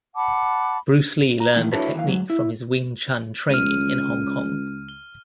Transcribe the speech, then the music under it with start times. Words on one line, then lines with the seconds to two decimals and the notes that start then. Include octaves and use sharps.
Bruce Lee learned the technique from his Wing Chun training in Hong Kong.
0.15 F#5 A5 B5 D6
1.40 A#5
1.56 E2 A2 D#3
1.72 D4 E4 F#4 A4 B4 C#5
1.95 D#2 E3 F5
2.07 D2 G#2 F#3
2.30 E4
3.50 C#2 F6 D#7
4.89 G7